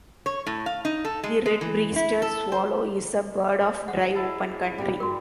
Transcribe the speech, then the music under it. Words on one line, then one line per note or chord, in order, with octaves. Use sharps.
The red-breasted swallow is a bird of dry open country.
C#5
A2
F5
D#4
A4
G#3
G#3
E3
E4
A4
C5
C5
G#3 F#5
E4 A5
A#2 G3 C4 G4
G2 F#4 A#4